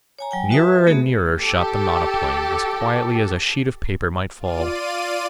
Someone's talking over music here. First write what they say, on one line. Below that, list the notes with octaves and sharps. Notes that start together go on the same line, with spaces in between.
Nearer and nearer shot the monoplane, as quietly as a sheet of paper might fall.
C#5 G#5 A#5
F#3 G5 G#5
F#4 B4 E5 A5 D#6
A3 B3 F#4 G#4
G4 A4
F4 D5 D#7